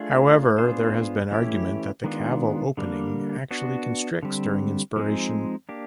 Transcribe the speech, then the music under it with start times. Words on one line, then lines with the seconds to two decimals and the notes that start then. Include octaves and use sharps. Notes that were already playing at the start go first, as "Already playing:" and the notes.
However, there has been argument that the caval opening actually constricts during inspiration.
Already playing: A3 D4 F4 G#4
0.58 B3 D4 F4 G#4 C5
1.31 E3 A3 C#4 E4 G4
2.04 D#3 G#3 B3 D4 F4
2.77 D3 G3 A#3 D4
3.51 B3 D4 F#4
4.23 D3 G3 C4
4.96 F3 G#3 C4 D#4 G#4
5.69 A#3 D4 G4